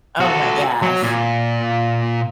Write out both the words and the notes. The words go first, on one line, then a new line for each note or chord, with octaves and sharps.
Oh my gosh.
F#4 A4
F#3
A#2